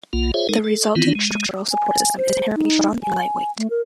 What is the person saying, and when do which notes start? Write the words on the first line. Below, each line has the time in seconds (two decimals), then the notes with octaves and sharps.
The resulting structural support system is inherently strong and lightweight.
0.13 B1 A#3 F4
0.34 F4 G#4 C5 C#5 E5
0.49 G#3 D#4 A4 A#4
0.64 A4
0.95 D#3 E3 B3 C4 E4 F4
1.15 G#3
1.72 G#5
2.17 C5
2.56 D#4
3.03 G#5
3.58 A3
3.70 A#4